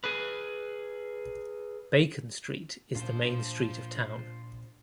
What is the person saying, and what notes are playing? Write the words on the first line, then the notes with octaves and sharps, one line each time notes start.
Bacon Street is the main street of town.
G#4 B4
A#2 D4 F4 C5